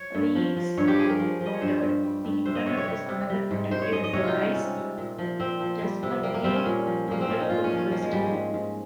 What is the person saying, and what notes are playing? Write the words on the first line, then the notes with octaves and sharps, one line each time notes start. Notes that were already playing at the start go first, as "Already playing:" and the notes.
Reeves noted: The Internet is another protective device, just like the bulletproof vest.
Already playing: C#5
G2
F3
F3
G2 C#5
G4
F3 G#4
A#4
F3
F3 D#5
C#5
G2 C5
G2
G3
G2
C3 C5
D#5
C3 C#5
C#5
G3 C#5
C3
G3
G#2
G#2 C5
C#5
G#2 D#5
D#5
C3 C#5
D#4 F4
G3
C#4
C3
C3
A#2
F3
A#2 C4
F3
G3
C3
G3 A#3
A#3
G3 C4
C#4
A#2
F3
A#2 A#3
C4
A#2 C#4
D#4
G#2 F4
C#4
F3
C#4
F3 A#3
G#3
G#2 G3
G#3
G#2
G#2